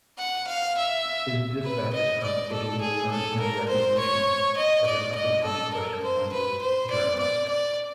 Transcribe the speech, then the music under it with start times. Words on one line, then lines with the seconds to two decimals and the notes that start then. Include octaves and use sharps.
His dispatches from Italy earned him recognition as an up-and-coming Russian-language journalist.
0.18 F#5
0.47 F5
0.78 E5
1.64 B4
1.93 D#5
2.23 D5
2.52 A4
2.82 G#4
3.11 A4
3.40 A#4
3.69 C5
3.99 C#5
4.57 D#5
4.86 D5
5.15 D#5
5.44 A4
5.74 A#4
6.03 C5
6.33 B4
6.62 C5
6.91 D5
7.19 D5
7.49 D5